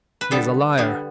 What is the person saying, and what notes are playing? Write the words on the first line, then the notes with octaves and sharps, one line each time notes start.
He is a liar.
B4
D3 G3 B3 A4
D3 G3 B3